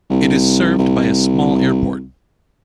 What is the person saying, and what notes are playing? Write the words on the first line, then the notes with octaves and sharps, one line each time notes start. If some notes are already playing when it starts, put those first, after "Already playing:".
It is served by a small airport.
C2
C2